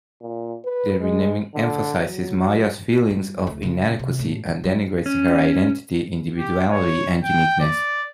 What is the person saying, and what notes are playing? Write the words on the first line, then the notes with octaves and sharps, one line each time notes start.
The renaming emphasizes Maya's feelings of inadequacy and denigrates her identity, individuality, and uniqueness.
A#2
B4
G#3
D3
F#3
G2
D2
C#3
C3
A2
D3
G3
C#4
G4
C#5
G5
D5